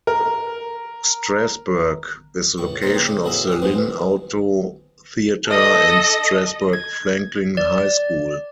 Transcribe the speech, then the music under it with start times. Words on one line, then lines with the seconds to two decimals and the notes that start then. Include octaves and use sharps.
Strasburg is the location of the Lynn Auto Theatre and Strasburg-Franklin High School.
0.07 A#4
2.58 C#2 A2 C#6
2.82 C#2 G2 A#3 C5 D#5 A#5
2.94 C#3 F3 D#4 G4
3.24 A2 F#3 B3 G#4 D#5 E5
3.48 G3 G#4
3.62 G2 B2 E3 F3 G#3 A3
5.46 A4 D#5
6.73 G#6
7.57 D5